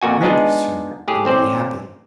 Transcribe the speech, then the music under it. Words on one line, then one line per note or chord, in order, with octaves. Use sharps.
Drink, sir, and be happy!
F2 A#2 F#4 G#5
G#3 B3 D4 D#4 F4 G#4
A2 G4 G#4
A1 C4 C5 D5